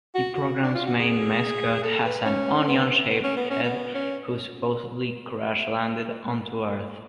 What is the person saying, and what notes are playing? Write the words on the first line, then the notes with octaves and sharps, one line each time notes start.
The programme's main mascot has an Onion-shaped head, who supposedly crash-landed onto Earth.
F#4
F#4
D4
F4
F#4
G#4
A4
B4
C#4
B3
B3
C#4
B3
C#4
B3
C#4